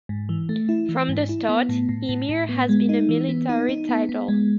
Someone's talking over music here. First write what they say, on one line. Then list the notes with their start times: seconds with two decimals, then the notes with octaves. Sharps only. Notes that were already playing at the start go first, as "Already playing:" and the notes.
From the start, Emir has been a military title.
0.09 G#2
0.29 E3
0.49 A3
0.69 E4
0.89 E3
1.09 G#2
1.29 E4
1.49 B3
1.69 A2
1.89 A2
2.09 A2
2.29 A2
2.49 B3
2.69 G#3
2.89 D#4
3.09 E3
3.29 B3
3.49 D#4
3.69 D#4
3.89 B3
4.09 B3
4.28 G#3